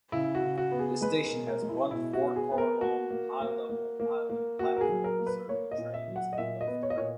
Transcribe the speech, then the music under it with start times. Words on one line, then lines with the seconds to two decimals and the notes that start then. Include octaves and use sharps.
This station has one four-car-long high-level island platform serving trains in both directions.
0.12 C#3 E4
0.35 F#4
0.43 C#3
0.58 F#4
0.72 B3
0.79 G#4
1.01 G#3 B4
1.25 A#4
1.32 B2
1.47 A#4
1.62 G#3
1.69 E4
1.91 B2 E4
2.13 F#4
2.22 B3
2.36 G#4
2.51 B3
2.58 A#4
2.81 A#3 F#4
3.11 A#3
3.40 A#3
3.69 A#3
4.00 A#3
4.30 A#3
4.59 A#3 F#4
4.77 A#4
4.81 G#4
4.89 F#3
5.04 A#4
5.19 A#3
5.27 B4
5.48 A#3 C#5
5.71 D#5
5.78 A#2
5.94 E5
6.08 F#3
6.16 F#5
6.33 D#5
6.38 A#2 E5
6.61 D#5
6.67 B3
6.83 C#5
6.90 D#5
6.97 A#2 C#5